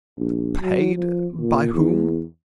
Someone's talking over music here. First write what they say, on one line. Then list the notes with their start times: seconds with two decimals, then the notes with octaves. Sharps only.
"Paid, by whom?"
0.18 A#1
0.62 F#3
0.95 F3
1.39 A#2
1.74 E2